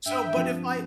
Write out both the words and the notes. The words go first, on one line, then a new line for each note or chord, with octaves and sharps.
So, but if I
G2 E5 G5
F3 C4